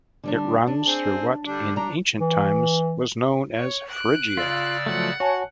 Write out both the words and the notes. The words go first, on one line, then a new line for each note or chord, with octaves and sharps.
It runs through what in ancient times was known as Phrygia.
D3 G3 D4
D4
C4 G#4
D3 G3 D4
G3 D4 A#5
E3
C#5
F#6 D7
C#3 F4 D5 E6
F3 F#3 A3 F#5
F#4 C#5 G#5 A5